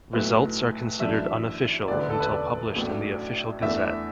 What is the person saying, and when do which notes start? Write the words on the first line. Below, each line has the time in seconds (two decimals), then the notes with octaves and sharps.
Results are considered unofficial until published in the Official Gazette.
0.13 B1 A2 A3 E4 B4
1.00 F#2 E3 A3 D4 E5
1.88 E1 D2 D3 D5
1.99 B4
2.10 A4
2.20 B4
2.31 D5
2.75 A1 A2 F#3 A3 D4
3.61 E2 E3 A3 D4 E5